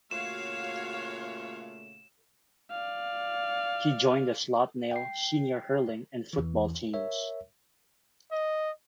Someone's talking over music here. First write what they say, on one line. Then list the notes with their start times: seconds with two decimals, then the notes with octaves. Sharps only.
He joined the Slaughtneil senior hurling and football teams.
0.11 A#2 C#3 A3 F#4 C#5 F5 E7
2.71 D5 F5
4.91 G5 C7
6.33 E2 E3
6.94 A#4 C#5 E5
8.31 D#5